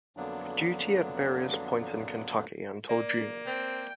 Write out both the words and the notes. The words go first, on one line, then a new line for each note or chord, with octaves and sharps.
Duty at various points in Kentucky until June.
F2 D3 F#3 A#3 B3 D4
A#3 D5
C4 G5